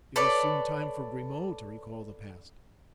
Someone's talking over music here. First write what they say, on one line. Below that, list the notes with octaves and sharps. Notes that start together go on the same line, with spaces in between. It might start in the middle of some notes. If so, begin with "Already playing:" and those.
It was soon time for Grimaud to recall the past.
A4 B4 C#5 D5